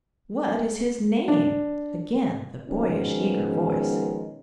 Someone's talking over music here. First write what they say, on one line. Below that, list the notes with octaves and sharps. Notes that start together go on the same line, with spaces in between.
"What is his name?" Again the boyish, eager voice.
D4
B2 D#3 F3 G#3 B3 C#4